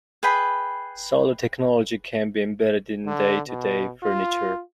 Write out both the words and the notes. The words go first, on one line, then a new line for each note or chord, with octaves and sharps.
Solar technology can be embedded in day to day furniture.
G#4 B4 G5 B5
D3
B2
F4